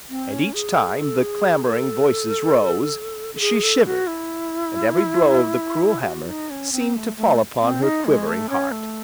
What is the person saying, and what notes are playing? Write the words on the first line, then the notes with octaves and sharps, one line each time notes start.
And, each time the clamouring voices rose, she shivered, and every blow of the cruel hammer seemed to fall upon her quivering heart.
C4
C#4
G#4
A4
G#4
A4
G#4
A4
A4
G#4
A4
F#4
E4
G#4
F#4
D#4
C#4
C4
A3
A3
C4
D#4
G#3
A3
C#4
A3